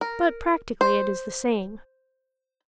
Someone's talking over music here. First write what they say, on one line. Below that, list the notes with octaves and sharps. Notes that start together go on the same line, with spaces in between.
But practically it is the same.
A#4
C5